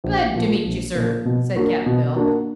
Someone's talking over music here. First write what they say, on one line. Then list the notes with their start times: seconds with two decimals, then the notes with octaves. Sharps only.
"Glad to meet you, sir," said Cap'n Bill.
0.04 A#1
0.34 A#2 F3 A#3
0.65 A#1
0.95 A#2 F3 A#3
1.25 B2
1.56 A#3 D4 F#4
1.86 B2
2.16 A#3 D4 F#4